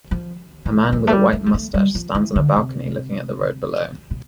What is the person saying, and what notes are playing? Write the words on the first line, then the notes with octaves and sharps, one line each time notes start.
A man with a white mustache stands on a balcony looking at the road below.
F3
E3
F3
A3
G3
A3
G3
A3
G3
F3
E3
D3
C3
B2